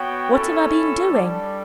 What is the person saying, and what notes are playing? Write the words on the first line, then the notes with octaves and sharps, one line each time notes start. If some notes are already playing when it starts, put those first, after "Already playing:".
What have I been doing?
Already playing: B3 F#4 C#5 G5
C#4 E4 A4
G3 D4 A4